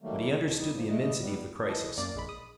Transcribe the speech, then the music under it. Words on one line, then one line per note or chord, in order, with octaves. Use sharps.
But he understood the immensity of the crisis.
D#3 F#3 G3 A3 A#3
E2 B2
G3 D#4
F3 G3
G3 A3 D#5
G3 B3
E3 A4 D#5
F#2 A#3 D5
A#1 G#3 B5
D#6